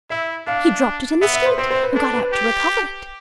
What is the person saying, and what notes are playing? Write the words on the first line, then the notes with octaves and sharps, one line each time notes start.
He dropped it in the street, and got out to recover it.
E4 E5
D4 F5
B3 E5
E5
C5
C4 C5
C5
B4
D4 A4
B4
G4